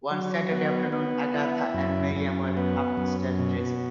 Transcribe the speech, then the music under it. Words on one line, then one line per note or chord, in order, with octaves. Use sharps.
One Saturday afternoon Agatha and Miriam were upstairs, dressing.
F#3
B3
B3
E4
F#2
F#2
B3
F#2
B2